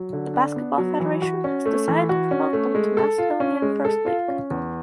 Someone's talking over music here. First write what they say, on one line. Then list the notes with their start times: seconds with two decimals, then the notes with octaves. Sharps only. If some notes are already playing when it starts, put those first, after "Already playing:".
The Basketball Federation has decided to promote them to Macedonian First League.
Already playing: F#3
0.13 D3
0.34 D4
0.56 B3
0.78 F#3
1.00 E3
1.22 F#4
1.44 C#4
1.66 A3
1.88 E3
2.09 F#4
2.31 C#4
2.53 A3
2.75 G#3
2.97 A4
3.18 F4
3.40 C#4
3.62 G#3
3.85 A4
4.06 F4
4.28 C#4
4.50 E2